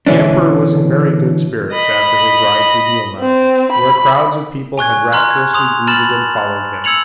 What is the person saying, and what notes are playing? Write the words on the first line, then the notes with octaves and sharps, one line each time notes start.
The Emperor was in very good spirits after his ride through Vilna, where crowds of people had rapturously greeted and followed him.
B2 D3 E3 C#4 D4
D#5 B5
C4
B5
G#5 C#6 F#6 G#6
A#5 C6 F6 F#6
G#6
C6 D#6 F7
A5 B5 F6 A6 E7 F#7
E6 G#6 C#7 F7 F#7